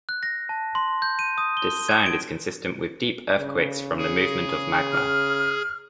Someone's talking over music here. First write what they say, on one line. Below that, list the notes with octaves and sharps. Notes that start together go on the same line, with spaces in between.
This sound is consistent with deep earthquakes from the movement of magma.
F#6
A#6
A5
C6
G6
D#7
D#6
G7
G#6
D7
C#3
G#4
F6